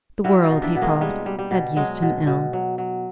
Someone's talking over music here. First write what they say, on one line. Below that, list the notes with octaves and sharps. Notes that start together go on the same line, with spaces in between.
The world, he thought, had used him ill.
G3 E4 F#4
D#4 F4
B2
D4 E4
B2 B3
G#3 A#3
G3 G#3
G3
G3
B2
F#3 G#3
B2
B2
F#3
F#3